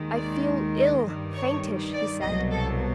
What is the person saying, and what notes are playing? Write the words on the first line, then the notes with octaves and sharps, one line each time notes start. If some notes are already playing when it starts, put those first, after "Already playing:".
"I feel ill--faintish," he said.
Already playing: D#2 D#3 G#3
D5
D#5
G2 D#3 G3
C#5
D5
C2 B2 F#3 D#5
A4